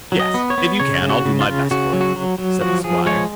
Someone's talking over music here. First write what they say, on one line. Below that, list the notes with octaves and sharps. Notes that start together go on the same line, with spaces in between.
'Yes, if you can, I'll do my best for you', said the Squire.
F#3
D#5
B3
C#5
B3
C#3 C#5
C#3
F#4
C#3
F4
C#3
C#3 F#4
F#3
F#4
F#3
F#3
F3 F#4
F3 G#4
G#3 C#5